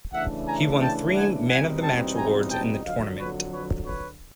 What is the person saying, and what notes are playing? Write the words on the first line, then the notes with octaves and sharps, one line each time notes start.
He won three Man-of-the-Match awards in the tournament.
C#3 E3 A3 D4 E5 F#5
G#5 A#5
G5 A5
F#5 G#5
E2 B2 G3 C4 D#4 F#5 G#5
G5 A5
G#5 A#5
G5 A5
F2 D3 F#3 D#5 F5
B4 C#5
B4 C#5
B4 C#5